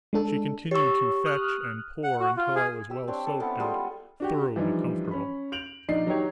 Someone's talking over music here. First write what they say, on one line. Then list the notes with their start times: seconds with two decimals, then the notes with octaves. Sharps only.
She continued to fetch and pour until I was well soaked and thoroughly comfortable.
0.13 G#3 D4 A4
0.71 G4 C#5 C#6 E6
1.26 D#6 F6 F#6
2.04 F#5
2.20 F#4
2.37 F4
2.56 G#4
2.90 G4 E6
3.08 C4 D4 C#5
3.27 A4
3.40 B3 C#4 E4 A4
3.59 G3 G#3 F4 A4
4.20 D4 F#4 G4
4.56 E3 F3 G3 D4 D#4
5.11 C#4 B5
5.52 G6 D7 F7 F#7
5.88 A#1 D4 D#4 D5 D#5 C7
6.07 F#3 D#4 G4 C#5